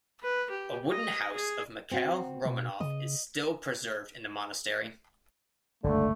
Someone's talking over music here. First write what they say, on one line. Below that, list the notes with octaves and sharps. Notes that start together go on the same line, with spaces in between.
A wooden house of Mikhail Romanov is still preserved in the monastery.
B4
G4
D#5
G#4
C4 F#4
B2
C#3 D#5
G1 C#2 F#2 D3 A3